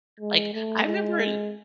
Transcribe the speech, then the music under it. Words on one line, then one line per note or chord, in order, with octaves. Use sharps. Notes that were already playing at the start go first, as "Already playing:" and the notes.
like, I remember i
G#3
A3
G#3